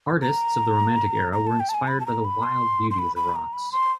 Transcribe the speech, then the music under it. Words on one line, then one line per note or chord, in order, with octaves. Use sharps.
Artistis of the Romantic era were inspired by the wild beauty of the rocks.
A#5
A#5
A5
G5
A5
G#5
B5
A5
A#5
B5
C6
C6
B5
B5
A#5
B5
C6